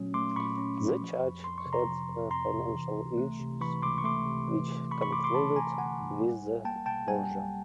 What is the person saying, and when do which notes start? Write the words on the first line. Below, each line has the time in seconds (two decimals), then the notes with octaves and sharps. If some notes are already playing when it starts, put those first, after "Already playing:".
The church had financial issues which concluded with the closure.
Already playing: A#2 F#3 A3 C#4
0.14 A3 C6 D6
0.36 A#2 B5 C#6
0.58 C#4
0.79 F#3
1.01 F3
1.23 F2
1.44 F2 C6
1.58 C#6
1.66 C3
1.73 A#5 C6
1.88 F3
2.10 F2
2.31 F2 A#5 C6
2.53 C3
2.75 E3
2.97 C#2
3.18 A3
3.40 C3
3.61 E3 B5 C#6
3.83 C#2 C6 D6
3.98 C#6
4.04 A3 C6 D6
4.26 C3
4.48 E3
4.70 G1
4.91 G1 B5 C#6
5.02 B5 C#6
5.12 G2 C6 D6
5.24 C6 D6
5.35 E3 A5 B5
5.56 G1 G#5 A#5
5.78 G1 F#5 G#5
6.00 G2
6.21 G3
6.43 B1
6.65 A#3 G5 A5
6.86 B2 G5 A5
7.08 G3 F#5 G#5
7.30 B1